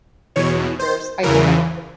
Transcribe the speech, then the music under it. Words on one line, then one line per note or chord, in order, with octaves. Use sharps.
picky eaters, I think I'm a p
E2 B2 C#5
C5
E2 C#3 E3 A#4